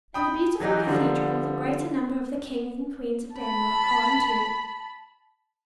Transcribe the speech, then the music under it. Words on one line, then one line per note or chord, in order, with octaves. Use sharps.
In the beautiful cathedral the greater number of the kings and queens of Denmark are interred.
G5 B5 D#6
E3 F#3 D#4 G4
D3 F3 G3
A5 B5